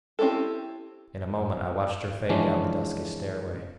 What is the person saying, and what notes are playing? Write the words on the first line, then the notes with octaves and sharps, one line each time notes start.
In a moment I watched her fade down the dusky stairway.
C4 C#4 E4 G4 A4
C#3 E3 F3 G#3 C#4 D4